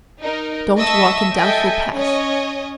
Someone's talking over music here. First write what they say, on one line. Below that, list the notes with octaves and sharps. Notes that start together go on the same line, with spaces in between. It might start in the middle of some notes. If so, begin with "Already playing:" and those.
Don't walk in doubtful paths.
D#4 A#4
D#5 E5 A5 C#6 E6
A4 D#5 E5 G5 G#5
C#4 C#5 D#5